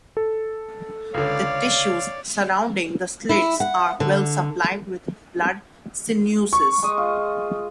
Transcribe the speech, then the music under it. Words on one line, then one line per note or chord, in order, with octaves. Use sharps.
The tissues surrounding the slits are well supplied with blood sinuses.
A4
C#2 D3 C#5 D5 F5
E4
F#5
D3
C#6
G#3 D#5
F4